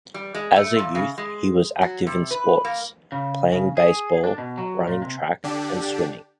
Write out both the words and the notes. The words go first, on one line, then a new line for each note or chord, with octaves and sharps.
As a youth he was active in sports, playing baseball, running track and swimming.
G3
G#3
A3
A#2
C#3
G#3
F#3
C3
B4
A#3
C#3
C#3
G#4
D4
B2
F#3
A#2
C3
D3 D4 G4